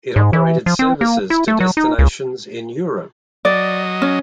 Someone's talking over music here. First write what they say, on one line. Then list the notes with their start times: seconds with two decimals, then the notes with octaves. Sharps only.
It operated services to destinations in Europe.
0.16 G#2
0.33 E3
0.66 F3
0.79 C4
1.01 A#3
1.30 E4
1.48 A3
1.60 F#3
1.77 D#4
1.99 C#2
3.45 F#3 D5 D#5
4.02 C#4